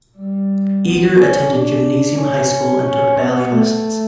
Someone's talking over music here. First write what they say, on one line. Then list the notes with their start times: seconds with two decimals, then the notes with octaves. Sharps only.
Eger attended gymnasium high school and took ballet lessons.
0.18 G3
0.84 B3
1.18 C#4
1.52 D4
2.18 C#4
2.85 C#4
3.18 B3
3.51 A3